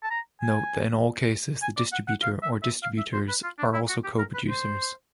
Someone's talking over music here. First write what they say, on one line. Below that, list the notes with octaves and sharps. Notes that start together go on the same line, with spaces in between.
Note that in all cases the distributor or distributors are also co-producers.
A5
A#5
G#5
G#5
D5
F#5
F#5
F5
E5
E5
F5
E5
C5
B4
F4
D4
E4
F#4
G4
A#4
B4
C5